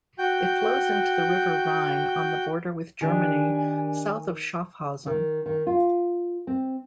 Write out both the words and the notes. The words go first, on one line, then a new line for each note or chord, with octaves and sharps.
It flows into the river Rhine on the border with Germany, south of Schaffhausen.
F#4 G5 G6
D#3 D4 G4 G#5
D#3
D#3
F4
C4